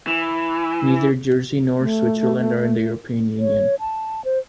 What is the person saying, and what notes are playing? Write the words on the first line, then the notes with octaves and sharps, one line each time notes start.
Neither Jersey nor Switzerland are in the European Union.
E3
A3
C#5
A5
C5